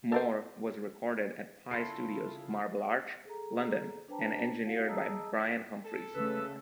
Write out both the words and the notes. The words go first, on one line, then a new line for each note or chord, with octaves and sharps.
"More" was recorded at Pye Studios, Marble Arch, London and engineered by Brian Humphries.
A4 A#4 C5
C#3 E4 F4 A4 B5 C6 C7
G#4 A4 A#5
D4 B4 C5 G5 A5 A#5
F#4 F5 F#5
G#4 D#5 A5 A#5 D#6 E6
A4
C#3 A3 B4 E6